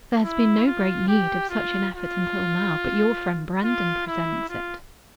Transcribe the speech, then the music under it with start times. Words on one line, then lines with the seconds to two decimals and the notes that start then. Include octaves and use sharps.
There has been no great need of such an effort until now, but your friend Brandon presents it.
0.23 E4
0.66 F4
1.08 G4
1.50 F4
1.94 F4
3.64 F4
4.07 E4
4.49 F4